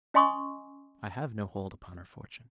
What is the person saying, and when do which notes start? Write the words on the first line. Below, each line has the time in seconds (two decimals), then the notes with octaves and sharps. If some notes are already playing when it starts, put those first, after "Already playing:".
"I have no hold upon her fortune."
0.14 C#4 D#5 G#5 C6 C#6 D#6